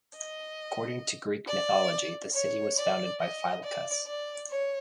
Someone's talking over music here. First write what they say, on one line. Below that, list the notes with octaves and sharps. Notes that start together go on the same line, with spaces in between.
According to Greek mythology, this city was founded by Phylacus.
D#5
D5
C#5
D5
D#5
D5
D5
C#5